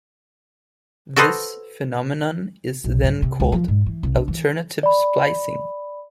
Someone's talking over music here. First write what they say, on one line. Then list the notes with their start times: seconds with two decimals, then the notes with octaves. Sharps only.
This phenomenon is then called alternative splicing.
1.16 F#4 A4 B4 C5 D#5
2.84 B1
3.03 G2
3.22 C3
3.40 C#2
3.52 F3
3.68 G#2
3.86 E3
4.03 C2
4.15 D4
4.28 E3
4.83 D5 B5